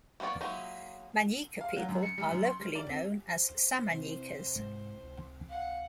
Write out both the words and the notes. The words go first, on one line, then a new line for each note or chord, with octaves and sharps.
Manyika people are locally known as Samanyikas.
A#3 B3 A4 C#5 D5
F#3 G#3 A#3 D#4 E4
F5
F#3
F#2
C#7
G3
F#2
C6
G3
D5
C4
C5
C3 E3
C2 G#2 G#3
C#2
F5 F#5